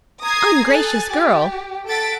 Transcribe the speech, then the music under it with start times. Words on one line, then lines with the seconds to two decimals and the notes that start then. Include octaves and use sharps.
Ungracious girl!
0.22 A#5 D#6 G#6 A#6 C7
0.67 A4 G#5 F#6 A6
1.14 G4
1.88 A4 F#5 A6 B6 D7